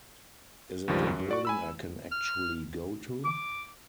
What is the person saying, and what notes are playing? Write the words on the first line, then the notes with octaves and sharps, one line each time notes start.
Is it a building I can actually go to?
C#2 G2 D#3 F3 G3
F#2
F#4 D5 C#6
G#5 B5 E6
F6
D6